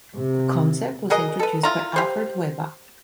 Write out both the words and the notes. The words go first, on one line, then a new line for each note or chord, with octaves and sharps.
The concept was introduced by Alfred Weber.
C3
F#4 G#4 A#4 D#5
A4 B4
E4 F4 A#5
G4 C5